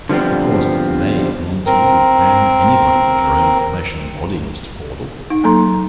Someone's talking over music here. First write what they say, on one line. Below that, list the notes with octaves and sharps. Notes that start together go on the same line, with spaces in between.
Of course, THEY belong to you: and anybody but your own flesh and body, Mr. Caudle!
D3 F3 G3 B3 C4
C4 A#4
D#4
F#3 A#3 A4 A#5 C6